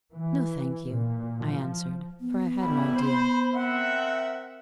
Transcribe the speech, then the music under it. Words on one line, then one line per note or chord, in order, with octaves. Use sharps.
'No, thank you,' I answered, for I had an idea.
E3
A#2
F3
B3
A1 G3 E4 B5
C5
C4 A#4 E5 F#5